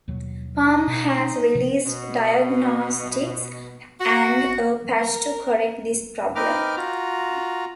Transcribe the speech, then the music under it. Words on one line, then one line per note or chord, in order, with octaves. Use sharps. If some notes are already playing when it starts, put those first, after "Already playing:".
Palm has released diagnostics and a patch to correct this problem.
D#2 B2 F#3
D#4
B2
C3 F3 F#3
B2
F#4
A#4
C4 D#4 A#4 B4 D6 F6
F4 F#4 A#5